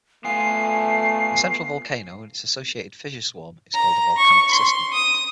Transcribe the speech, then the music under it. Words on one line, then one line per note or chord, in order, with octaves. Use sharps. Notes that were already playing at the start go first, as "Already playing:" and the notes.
A central volcano and its associated fissure swarm is called a volcanic system.
A3 B3 F4 G#5 C7
A#5
C#6
C6
D#6